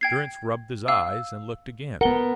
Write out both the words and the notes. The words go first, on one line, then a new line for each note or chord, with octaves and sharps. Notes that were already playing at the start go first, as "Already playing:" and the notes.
Durrance rubbed his eyes and looked again.
G5 G#6 C7
F5 E6
B3 A#4 F#5 G7